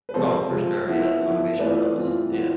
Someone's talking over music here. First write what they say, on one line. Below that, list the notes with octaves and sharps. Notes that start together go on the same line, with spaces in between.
I oh, for sure, yeah. The motivation comes, yeah.
B4
C3 F3 G#3 C4 F4 A4 C5
C3 F3 G#3 C4 F4
F3 B3 E4
F3 B3 E4
E3 A3 C4 F4 B4 D5
E3 A3 C4 F4
E3 B3 F4